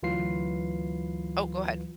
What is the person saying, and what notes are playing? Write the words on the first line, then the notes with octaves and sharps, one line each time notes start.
oh, go ahead.
D2 E3 F#3 F4 B4 C7